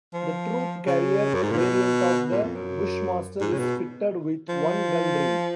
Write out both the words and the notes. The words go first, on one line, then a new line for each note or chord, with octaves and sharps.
The troop carrier variant of the Bushmaster is fitted with one gun ring.
F3
C#3
F#2
G#2
A#2
B2
A#2
F2
F#2
G#2
C#3
B2
F3